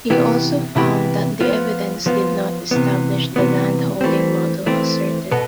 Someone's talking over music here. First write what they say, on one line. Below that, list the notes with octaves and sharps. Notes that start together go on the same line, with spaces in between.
He also found that the evidence did not establish the landholding model asserted.
C3 E3 B3 E4 G4
C3 E3 B3 E4 G4
F3 B3 F4
F3 B3 F4
C3 E3 B3
C3 E3 B3
E3 A3 C4
E3 A3 C4
B2 B3 A4